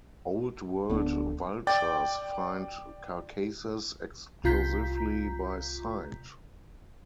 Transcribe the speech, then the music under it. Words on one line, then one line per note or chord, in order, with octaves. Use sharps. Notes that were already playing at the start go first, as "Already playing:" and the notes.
Old World vultures find carcasses exclusively by sight.
D1 D3 B3
D5 G5 D6 A6
C2 C3 F4 A#5 G6 B6